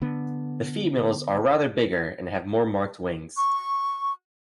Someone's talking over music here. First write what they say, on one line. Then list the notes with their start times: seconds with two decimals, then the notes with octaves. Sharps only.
The females are rather bigger and have more marked wings.
0.02 D3 B3
3.37 C#6